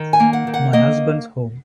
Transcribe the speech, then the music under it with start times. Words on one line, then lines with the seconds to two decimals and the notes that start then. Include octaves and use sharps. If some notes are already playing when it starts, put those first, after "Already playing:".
My husband's home!
Already playing: D#3
0.13 G#5
0.20 A#3
0.33 F#5
0.47 D#3
0.54 F#5
0.73 A#3 D#5